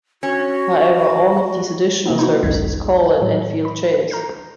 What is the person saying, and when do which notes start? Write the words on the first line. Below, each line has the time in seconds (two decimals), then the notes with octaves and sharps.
However, all of these additional services call at Enfield Chase.
0.23 C#4 F#4
2.06 C3 E3 F3 A#3 B3 D#4
2.19 D#4 E4 F#4
2.43 G#1 C#2 F#2 G#6 B6
3.21 A2 F#3
3.65 B5
4.10 A#5 F6 G6 C7